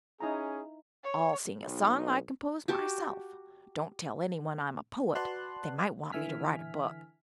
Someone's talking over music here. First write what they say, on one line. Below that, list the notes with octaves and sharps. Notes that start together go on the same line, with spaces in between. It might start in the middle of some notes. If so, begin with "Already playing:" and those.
I'll sing a song I composed myself. Don't tell anyone I'm a poet; they might want me to write a book.
C#4 D#4 E4 G#4 A#5
C#5
B1
F#4 G4 A5
F#4 B4 D5 A5 C6 F#6
D3 E3 E5 G#5 F6 B6